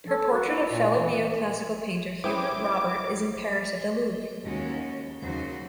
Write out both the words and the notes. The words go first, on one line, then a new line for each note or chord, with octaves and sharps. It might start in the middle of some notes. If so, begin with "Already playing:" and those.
Her portrait of fellow neoclassical painter Hubert Robert is in Paris at the Louvre.
A4
F#4
E4
A#2
E3
C#4 E4 B4 C5 G5 D6 D#6
D#2 G#3 C#4 F#4 C#5
D#2 C#3 F#3 A#3 F#4 C5